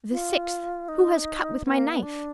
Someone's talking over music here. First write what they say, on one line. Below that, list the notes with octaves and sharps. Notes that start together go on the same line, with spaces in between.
The sixth, "Who has cut with my knife?"
F4
D#4
B3
A#3
B3
D4